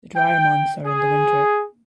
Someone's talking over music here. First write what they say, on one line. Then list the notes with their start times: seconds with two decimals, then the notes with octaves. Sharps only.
The drier months are in the winter.
0.16 G5
0.85 G#4